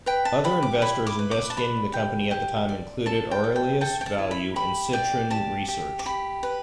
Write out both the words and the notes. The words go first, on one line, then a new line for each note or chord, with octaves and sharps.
Other investors investigating the company at the time included Aurelius Value and Citron Research.
B4 G5
A5
G4 B5
D6
E4 B5
D6
B4
D6
A5
D5 B5
G4
G4
D5
A4 A5
G5
A4
G5
A4 G5
G5
A5
E4
B5
G4 B5
D5 G5
G4 A5
G4
D6
G4 B5
B4